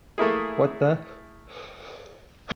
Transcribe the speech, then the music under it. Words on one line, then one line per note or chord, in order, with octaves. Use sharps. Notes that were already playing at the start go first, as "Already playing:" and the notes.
What the...?
A3 A#3 E4 G#4